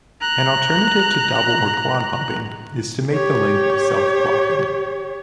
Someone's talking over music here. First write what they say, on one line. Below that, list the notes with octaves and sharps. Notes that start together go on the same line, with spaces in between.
An alternative to double or quad pumping is to make the link self-clocking.
A#5 F#6
G4 C#5